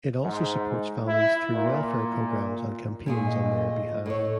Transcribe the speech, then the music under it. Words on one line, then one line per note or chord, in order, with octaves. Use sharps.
It also supports families through welfare programmes and campaigns on their behalf.
G#2
E4
A#2
A#2 A3 G#4
D#5
A2 A4 C#5